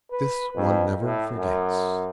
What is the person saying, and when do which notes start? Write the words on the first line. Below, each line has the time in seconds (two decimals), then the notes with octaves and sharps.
"This one never forgets!"
0.12 B4
0.56 F2
1.01 A2
1.35 F#2